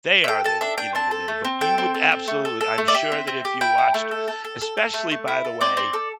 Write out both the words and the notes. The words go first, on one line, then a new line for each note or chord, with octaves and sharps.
they are then, you know, the new, but you would absolutely I'm sure that if you watched especially, by the way,
E5
A4 G5
A4 A5
D4 E5
D4 G5
C4 A5
A4
A3
C4
A4 G5
C4
A4
C4
A3
A4
A4
A3
D5
G4 E5
C4
C4
G4
E4 G5
E4
A3
A4
A4
A4
A4
A4
A3
A3
E4
A4
C4 D5
C4
A4